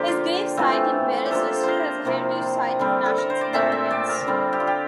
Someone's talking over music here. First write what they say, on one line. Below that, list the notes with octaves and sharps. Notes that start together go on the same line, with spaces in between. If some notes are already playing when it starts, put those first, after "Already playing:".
His gravesite in Birr is listed as a heritage site of national significance.
Already playing: D3 F3 A#3 G4
F4
E3 A3 C4 F4
G4
F3 A#3 D4 F4 A4
A#4 C5
C3 F3 A#3 E4 D5
D3 G3 C4
A4
A#4
C5
D5
A#2 A3 C4 F4 E5
E5
D5
A#4
D3 G3 C4
G4
F4
G4